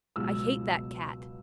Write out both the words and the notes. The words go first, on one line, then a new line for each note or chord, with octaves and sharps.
I hate that Cat!
C#2 B2 F#3 E6